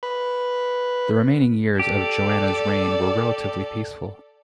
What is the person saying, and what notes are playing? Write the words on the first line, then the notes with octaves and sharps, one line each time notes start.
The remaining years of Joanna's reign were relatively peaceful.
B4
G4 A4 D5